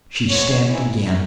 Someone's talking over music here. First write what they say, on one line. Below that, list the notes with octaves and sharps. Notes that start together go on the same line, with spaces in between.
She stamped again.
G#2 E3 C#5
G#2 E3